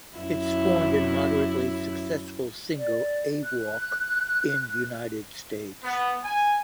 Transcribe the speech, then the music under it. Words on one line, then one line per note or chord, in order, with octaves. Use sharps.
It spawned the moderately successful single "A Walk" in the United States.
F#2 E4
D5
F#6
B3
G#5